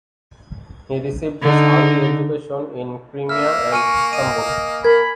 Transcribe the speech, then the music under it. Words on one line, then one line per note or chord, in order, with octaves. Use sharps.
He received his early education in Crimea and Istanbul.
D3 D#4
A#3 E5 F6
G#5 C#6 F6 D#7
D#5 D#7
A#4 B5 G#6